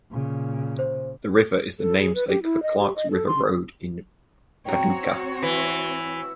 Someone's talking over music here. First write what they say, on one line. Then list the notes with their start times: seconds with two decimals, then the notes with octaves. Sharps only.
The river is the namesake for Clarks River Road in Paducah.
0.11 A#2 C#3
0.79 C5
1.79 A4
1.99 G#4
2.15 B4
2.28 G4
2.43 E4
2.63 D#5
2.80 G4
2.96 D#5
3.11 A4
3.27 C6
4.65 C4 F#4 C#5 G5 A#5
5.43 E3